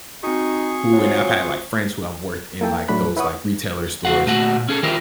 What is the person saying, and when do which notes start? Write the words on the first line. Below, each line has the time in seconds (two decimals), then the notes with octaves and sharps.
who and I've had like friends who have worked in, like, those, like, retailer stores,
0.23 C4 D#4 F#4 G#4 C#6
0.93 F#3 F4 C5
2.61 A#3 E4 A4 G5
2.88 A2 F#3 A3 D4 B5 F#6
3.17 E4 B4 C#5 F#5 C#6 D#6
4.05 C#2 F#4 F5 F#5
4.26 A#2 A3 F#4 F#5
4.56 A#2
4.69 C#4 G#4 A4
4.83 D#3 E4 F4 G4 A#4 C5